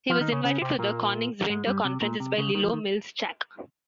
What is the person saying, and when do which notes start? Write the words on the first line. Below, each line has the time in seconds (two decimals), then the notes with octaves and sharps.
He was invited to the Konigswinter conferences by Lilo Milchsack.
0.09 F3 F4
0.21 D#3 D#4
0.32 C#3 C#4
0.44 C#3 C#4
0.62 C3 C4
0.79 A#2 A#3
1.49 G#2 G#3
1.66 G2 G3
1.85 C3
2.02 A#2
2.20 C3
2.37 C#2 C#3
2.54 D#2 D#3
2.63 F2 F3
2.73 D#3